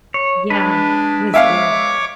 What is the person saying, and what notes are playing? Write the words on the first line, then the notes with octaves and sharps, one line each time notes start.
Yeah. It was weird.
C#5
G#3 D4 B4
C#5 E5 F5 D6